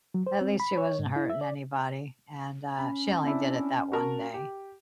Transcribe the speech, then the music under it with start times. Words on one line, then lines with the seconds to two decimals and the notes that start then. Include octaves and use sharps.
at least she wasn't hurting anybody and, uh, she only did it that one day,
0.14 F#3
0.27 C5
0.41 C4
0.60 B5
0.77 C#5
0.99 G#2
1.16 E4
1.30 E5
1.41 D5
2.78 C#4 B5
3.23 C4 D4 E4
3.92 F#4 A#4 A5
4.34 G4